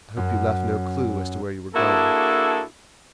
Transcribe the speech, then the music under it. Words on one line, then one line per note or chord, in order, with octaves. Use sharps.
"I hope you left no clue as to where we were going."
F#2
A#3 D4 E4 F#4 G#4 A4